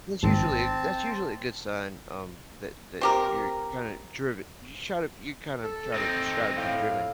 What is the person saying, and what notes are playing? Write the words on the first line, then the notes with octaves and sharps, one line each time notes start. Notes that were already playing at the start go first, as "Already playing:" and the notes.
that's usually that's usually a good sign, um, that that you're kinda drive you're try to you're kinda trying to trying to be driven,
G#1 C4 A5
C4 G4 A#4
A4
C4 D#4
A2 F5